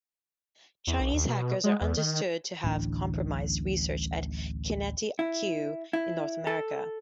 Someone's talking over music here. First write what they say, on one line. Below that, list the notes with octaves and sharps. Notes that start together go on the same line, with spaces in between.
Chinese hackers are understood to have compromised research at QinetiQ in North America.
E2
B1
D#2
B2
G#3
E2
D#3
D1 A1 E3 D4
E4
E4
A4